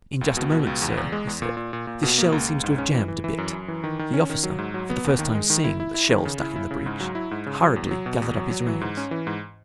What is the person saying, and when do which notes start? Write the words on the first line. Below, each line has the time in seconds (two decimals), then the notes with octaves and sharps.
"In just a moment, sir," he said; "this shell seems to have jammed a bit." The officer, for the first time seeing the shell stuck in the breech, hurriedly gathered up his reins.
0.21 C#2
0.37 B2
0.52 B2
0.67 C#2
0.82 E2
0.97 E2
1.12 G#3
1.27 E2
1.42 A#2
1.57 A#2
1.73 A#2
1.87 A#2
2.03 B2
2.18 A#3
2.32 C#2
2.48 C#2
2.64 G#2
2.78 C#4
2.93 E3
3.08 E3
3.24 E3
3.38 F#2
3.53 F#2
3.68 E3
3.84 D#3
3.99 D#3
4.14 C#4
4.30 D#3
4.43 F#3
4.59 G#2
4.74 F#3
4.90 B3
5.04 D#2
5.19 D#3
5.35 G#3
5.50 D#3
5.64 E4
5.80 E4
5.94 E4
6.09 D#3
6.25 C#3
6.40 E4
6.56 E4
6.71 C#3
6.86 G#2
7.00 F#3
7.15 E4
7.31 G#2
7.46 C#3
7.61 F#3
7.76 E2
7.91 F#3
8.06 B2
8.22 E2
8.36 F#3
8.51 F#3
8.67 E3
8.81 G#2
8.97 C#4
9.11 E3
9.27 G#2